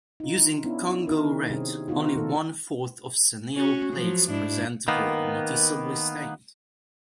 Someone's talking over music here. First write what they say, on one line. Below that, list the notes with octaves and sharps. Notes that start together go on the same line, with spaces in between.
Using Congo red, only one-fourth of senile plaques present were noticeably stained.
D#4 F4
B3 C#4 D4 E4
D#3 D#4 F#4 A#4
C3 C4 C#4 G#4
B3 C4 D#4 F4 F#4
D#3 A4
C#4 F#4
F3 F#3
G#2 D4 E4
D#3 A#3 B3